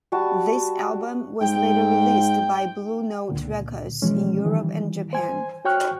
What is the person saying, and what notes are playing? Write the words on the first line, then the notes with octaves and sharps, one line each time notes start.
This album was later released by Blue Note Records in Europe and Japan.
G3 F#4 A5
G#2 G5
C#2 A#2 D3
B2 E3 F3 G#3 C#4
D#3 E3 G3
C5 G#5
F#4 C#5 G5 C#6 F6 F#6